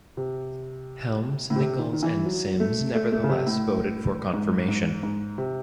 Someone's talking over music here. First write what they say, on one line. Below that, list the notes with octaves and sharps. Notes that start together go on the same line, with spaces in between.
Helms, Nickles, and Symms nevertheless voted for confirmation.
C3
A2
C3
D#3
D#3
E3
F#3
A3
A3
A3
C#3
C3
A2
G#2
G#2
G#2
C3